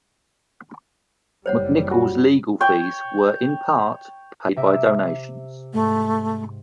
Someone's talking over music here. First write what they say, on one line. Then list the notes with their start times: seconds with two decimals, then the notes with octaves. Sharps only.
McNicol's legal fees were in part paid by donations.
1.46 F#1 G3 C5 C#5 F#5
1.91 F4 F#4
2.61 C#5 G5
4.56 C3 E5 D6
5.73 G#2 A3